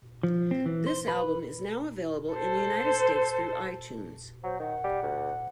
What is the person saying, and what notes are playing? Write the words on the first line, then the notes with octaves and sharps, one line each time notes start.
This album is now available in the United States through iTunes.
F3
C4
E3
C5
B4
A4 C5
F#3 C5
D#3 F#5
G3
D2